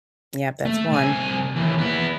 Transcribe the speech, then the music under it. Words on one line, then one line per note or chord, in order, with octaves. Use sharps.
Yep, that's one.
A3
C2 G#5
D#2 E3
B3 E4